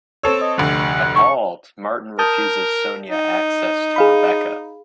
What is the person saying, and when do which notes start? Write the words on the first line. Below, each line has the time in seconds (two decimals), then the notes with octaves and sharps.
Appalled, Martin refuses Sonia access to Rebecca.
0.23 C4 A4 C#5 E6
0.41 D#5
0.58 F1 D2 F#6
1.16 C#6
2.19 A#4 A5 D#6 G6
3.10 D#4
3.96 G#4 F5 B5